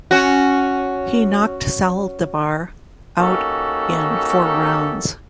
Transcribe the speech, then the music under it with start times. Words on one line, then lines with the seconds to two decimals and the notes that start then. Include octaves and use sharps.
He knocked Saldivar out in four rounds.
0.11 C#4 F#4
3.19 A#3 C#4 D#4 F#4 G4 A4